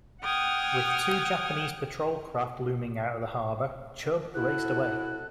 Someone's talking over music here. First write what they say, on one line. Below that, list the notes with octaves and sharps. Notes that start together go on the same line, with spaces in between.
With two Japanese patrol craft looming out of the harbor, "Chub" raced away.
F#5 G5 D#6 F6 G#6
E4 F#4 A4 F#6